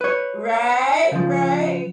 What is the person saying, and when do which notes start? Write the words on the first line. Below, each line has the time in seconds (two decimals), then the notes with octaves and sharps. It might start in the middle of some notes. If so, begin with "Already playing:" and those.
Right, right.
0.01 B4 C#5
1.12 C#3 F3